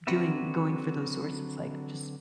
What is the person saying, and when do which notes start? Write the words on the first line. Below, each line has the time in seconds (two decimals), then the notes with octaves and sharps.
doing going for those sources, like just
0.07 D3 F#3 C4 F#4 B4 E5